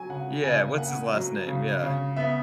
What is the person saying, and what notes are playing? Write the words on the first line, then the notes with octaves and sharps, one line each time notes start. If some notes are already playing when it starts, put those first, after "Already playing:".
yeah, what's his last name? Yeah.
Already playing: F#3 G#5
C#3 F#5
C#3 G#5
A#3 F#5
F#3
C#3
C#3
B3 E5